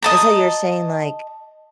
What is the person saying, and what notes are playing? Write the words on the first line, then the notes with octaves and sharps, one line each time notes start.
And so you're saying, like
D#5 A5 A#5